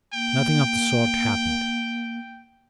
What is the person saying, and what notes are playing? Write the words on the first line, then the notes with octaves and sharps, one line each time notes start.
Nothing of the sort happened.
A#3 G5